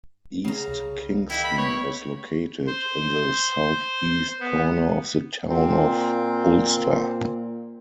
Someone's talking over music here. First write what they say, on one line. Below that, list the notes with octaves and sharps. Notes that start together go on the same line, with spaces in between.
East Kingston is located in the southeast corner of the Town of Ulster.
C#3 A#5
C2
D#3 A#3 D#4 E4
B5
B3 C#5
C5
B3
A#2 C4